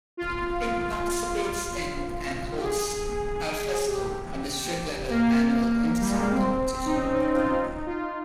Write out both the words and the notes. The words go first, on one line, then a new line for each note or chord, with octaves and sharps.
It participates in, and hosts "Alfresco", a district level annual inter-school competition.
F4
F4
G4
G#4
G4
A#3
G3
G#3
A#3
C4
D#4
C#4
D#4
F4
D#4
D#4
F4